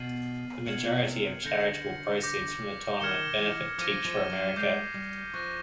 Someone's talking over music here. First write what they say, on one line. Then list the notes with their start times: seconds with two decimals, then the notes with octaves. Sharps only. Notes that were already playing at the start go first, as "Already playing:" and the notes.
The majority of the charitable proceeds from the tournament benefit Teach for America.
Already playing: B2 F6 A6 C7 D#7 F#7
0.66 B2 F6 G#6 C#7 F#7
1.05 C3
1.44 D3 G6 A#6 C#7
2.22 D6 G6 A#6
3.00 D#3 F6 G#6 C#7 E7 G7
3.39 E3
3.78 F3 D6 F6 A#6 D#7
4.05 F3
4.30 F#3
4.56 G#3 D6 G6 C7 F7
4.94 G3
5.34 F3 C#6 F#6 A#6